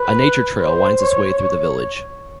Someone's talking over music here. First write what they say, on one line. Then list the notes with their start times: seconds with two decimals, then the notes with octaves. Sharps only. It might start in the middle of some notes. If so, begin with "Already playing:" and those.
A nature trail winds its way through the village.
Already playing: B4
0.62 C5
1.01 C#5
1.42 C#5